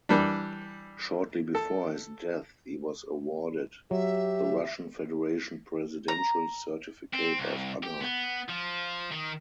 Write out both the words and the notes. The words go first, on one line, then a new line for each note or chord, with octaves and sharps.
Shortly before his death he was awarded the Russian Federation Presidential Certificate of Honour.
E3 G3 D4
A4
F#3 G4 E5
A#5
C4
C2
G4
B3
F3
D#3